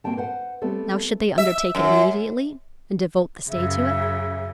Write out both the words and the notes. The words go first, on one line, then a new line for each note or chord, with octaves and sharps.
Now should they undertake it immediately, and devote this day to it?
A#3 C4 F#4 G5 A5
B4 C5 F#5
G3 A3 B3 C4 A4 C#5
E5
F#2
F#2 C#3 E5